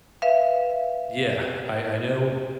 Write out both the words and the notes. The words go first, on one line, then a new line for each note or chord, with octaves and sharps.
Yeah, I I know
B4 E5 F5